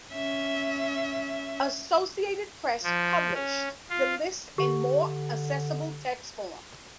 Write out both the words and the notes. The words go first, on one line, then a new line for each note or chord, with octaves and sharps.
Associated Press published the list in more accessible text form.
C#4 E5
F3
C#4
F4
D3 G4